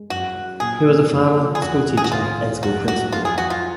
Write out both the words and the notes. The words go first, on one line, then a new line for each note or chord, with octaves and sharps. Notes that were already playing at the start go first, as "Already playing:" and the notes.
He was a farmer, school teacher and school principal.
Already playing: G#3
F#2 F#4
F#3
A#2 G#4
A#3
F#2
F3
G#4
F2 F#4
D#3
G#4
F#4
C#2 F4
G#3
F2 F#4
F#3 F#4
F2 F4
G#4
F3 F#4
F4